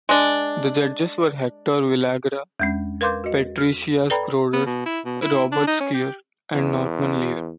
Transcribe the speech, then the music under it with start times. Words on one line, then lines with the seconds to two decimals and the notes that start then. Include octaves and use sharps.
The judges were Hector Villagra; Patricia Schroeder; Robert Scheer; and Norman Lear.
0.09 G#3 D4
2.60 E2 G#3 C#4
3.01 A#4 B4 F5 C6 D6 G6
3.24 F#4 D#5
3.58 F6
4.10 A4 B4 D5 G5 A#5 B5
4.53 B3
4.66 B2
4.86 E4
5.05 B2
5.22 E4
5.52 D4
5.67 D#4
5.80 C#4
5.94 G4
6.54 E2